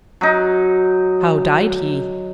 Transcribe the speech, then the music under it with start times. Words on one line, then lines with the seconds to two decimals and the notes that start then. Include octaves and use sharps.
"How died he?"
0.21 F#3 D#4